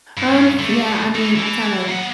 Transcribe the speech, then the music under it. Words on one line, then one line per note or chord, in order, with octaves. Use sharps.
Um, yeah, I mean, I kinda
G2
G2
D3 A3
E3 D#4
E3
A#3 F#5